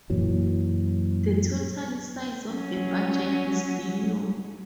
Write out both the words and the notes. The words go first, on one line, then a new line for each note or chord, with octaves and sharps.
The total size of the budget is billion.
F#2 A#2 E3 F#3
F#3 C#4